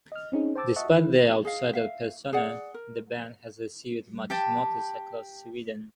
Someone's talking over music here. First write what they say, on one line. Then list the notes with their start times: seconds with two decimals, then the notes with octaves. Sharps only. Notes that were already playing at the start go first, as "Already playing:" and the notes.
Despite their outsider-persona, the band has received much notice across Sweden.
0.12 D#5 F6
0.32 C4 C#4 D#4 G#4
0.55 C5 G5 A5 D6 E6 A6
0.76 D#5 E5 F#5 A5 C#6
0.90 D#3 E3 E4 B4
1.45 G#4 D#5 F5
1.73 E5 F5
2.33 G#4 D5 F#5
2.74 A#4
4.30 G4 G5 A5